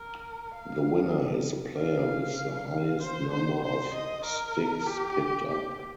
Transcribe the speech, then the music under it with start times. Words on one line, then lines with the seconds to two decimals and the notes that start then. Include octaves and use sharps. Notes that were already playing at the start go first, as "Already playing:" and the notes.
The winner is the player with the highest number of sticks picked up.
Already playing: A#4
0.54 F5
1.77 F5
3.01 C5
3.32 C5
3.63 C5
3.94 D#5
4.24 A#4
4.86 G4
5.48 G4